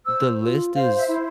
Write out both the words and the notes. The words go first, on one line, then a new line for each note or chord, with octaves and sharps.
the list is
C5 E6
F4
C5 F5
E5
E4